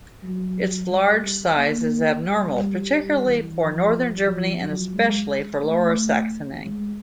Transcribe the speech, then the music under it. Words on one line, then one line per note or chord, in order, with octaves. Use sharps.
Its large size is abnormal, particularly for northern Germany and especially for Lower Saxony.
F#3
G3
A#3
G3
G3
E3
F3
F3
F#3
G#3
A3
G#3